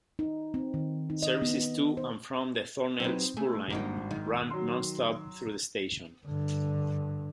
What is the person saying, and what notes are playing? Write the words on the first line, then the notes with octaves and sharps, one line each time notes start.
Services to and from the Thornlie spur line run non-stop through the station.
D#4
C4
D#3
D#4
D#5
B3
C5
F#3 C4 D#4 G4 B4
A3 G#4 G#5
G#1 G2 A#3 D#4 C#5
G#2 D#3
F#3 C6
G2 D3